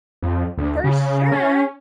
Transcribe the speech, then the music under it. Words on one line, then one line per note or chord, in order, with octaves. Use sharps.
For sure!
F2
D2
C#3
C#4